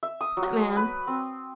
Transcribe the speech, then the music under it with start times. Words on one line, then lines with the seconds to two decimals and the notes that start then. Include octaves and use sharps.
"What man?"
0.03 E5
0.21 D#6
0.37 F#3
0.76 B4
1.07 C4